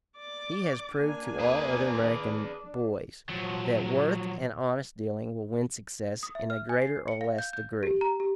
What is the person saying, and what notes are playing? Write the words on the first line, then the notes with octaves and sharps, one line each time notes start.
He has proved to all other American boys that worth and honest dealing will win success, in a greater or less degree.
D5 D6
A#3 D4 G#5
G#4 B4
A#2 F3 F#3
D#6
E5
F6
G#5
C7
C#7
F5
G6
G6
G4
A#5
G4